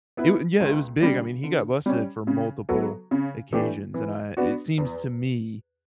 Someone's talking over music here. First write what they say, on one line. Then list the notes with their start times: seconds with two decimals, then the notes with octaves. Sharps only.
it wa And yeah, it was big, I mean, he got busted for multiple occasions and I it seems to me
0.17 B3 E4 B4
0.60 C#2
1.01 C#3 G3 D4
1.44 D3
1.86 G3 C#4
2.27 C#3
2.69 F#3 B3 F#4 A4
3.11 C#3
3.53 E3 A3 D4 G4
3.94 E3
4.37 B3 D4 F#4
4.78 E2